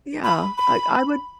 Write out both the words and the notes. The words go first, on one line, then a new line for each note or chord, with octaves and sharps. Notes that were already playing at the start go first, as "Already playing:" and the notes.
Yeah, I I would
B5
B5